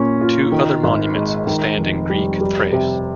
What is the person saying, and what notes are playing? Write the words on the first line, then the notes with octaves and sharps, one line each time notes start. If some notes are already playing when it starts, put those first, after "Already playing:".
Two other monuments stand in Greek Thrace.
Already playing: A#2 C#4
F4
D#3
G#1
G#3
D#3
F1
G3
G3
C3